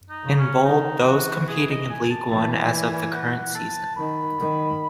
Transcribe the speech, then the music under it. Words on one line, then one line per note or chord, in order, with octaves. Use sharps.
In bold those competing in League One as of the current season.
D#4
C#3
C#4
D#3 D#4
E3 F#4
G#4
D#5
G#5
A5
E3 A5
G#5
G#5
G#5
F#5
A5
D#3 B5
D#3